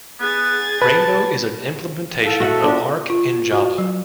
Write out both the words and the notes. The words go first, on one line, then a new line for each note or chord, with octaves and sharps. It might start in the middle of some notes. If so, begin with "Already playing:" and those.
Rainbow is an implementation of Arc in Java.
B3 G#4 G#6 A6
B4 A5
E4 A4 F5
F#4 E5 F#5
B3 D4 F4 A#4
F4
F#4
F#3